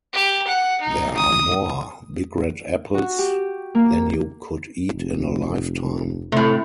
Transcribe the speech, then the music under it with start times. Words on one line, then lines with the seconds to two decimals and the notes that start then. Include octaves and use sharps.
There are more big red apples than you could eat in a lifetime.
0.13 G4
0.47 F#5
0.80 D#4
1.16 D#6
2.94 F#4
3.19 G4
3.75 A#3
4.93 F1
6.32 A2 C3 A3